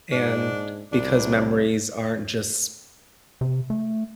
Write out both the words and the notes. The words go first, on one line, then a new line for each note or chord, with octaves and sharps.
and because memories aren't just
G#2 D4
C2 D4
C3
A3